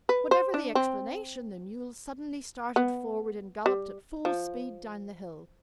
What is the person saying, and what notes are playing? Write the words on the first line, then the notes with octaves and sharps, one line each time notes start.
Whatever the explanation, the mule suddenly started forward and galloped at full speed down the hill.
B4
C5
D4
C4
B3
G3
F3